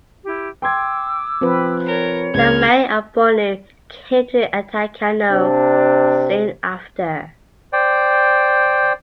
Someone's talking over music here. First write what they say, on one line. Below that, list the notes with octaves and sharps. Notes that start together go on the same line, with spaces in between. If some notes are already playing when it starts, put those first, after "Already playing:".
The Mai of Bornu came to attack Kano soon after.
E4 G4
G5 C6 D6 E6 G#6
F3 C4 B4
A#4 C#5
C#2 F6 G#6
C3 D4
C5 D5 G5